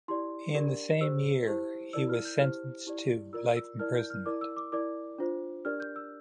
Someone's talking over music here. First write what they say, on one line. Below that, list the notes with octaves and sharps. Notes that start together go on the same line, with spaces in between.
In the same year he was sentenced to life imprisonment.
E4 G4 D5 C6
D4 G4 A#4 D5
G4 C5 E6
E4 G4 C5
E4 A#4 D5 E6
F6
G6
E4 G4 C5 F6
E4 G4 D5
F4 A#4 D5 E6
E6
E4 A#4 D5 F6
G6
F6
E4 A#4 D5 D6
E6
D6
E4 A#4 D5 D6
D4 F4 C5
D4 G4 A#4 D5 F6
G6
E6